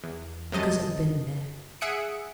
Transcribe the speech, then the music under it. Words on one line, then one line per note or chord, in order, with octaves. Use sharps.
Because I've been there.
E2
F#2 C3 F#3 D#5 A5
G#4 E5 F#5 D#6 C#7 D7